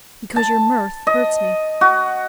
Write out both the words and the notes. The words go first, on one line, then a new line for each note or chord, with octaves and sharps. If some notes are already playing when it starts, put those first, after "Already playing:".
"Because your mirth hurts me."
A5
D#5
F#4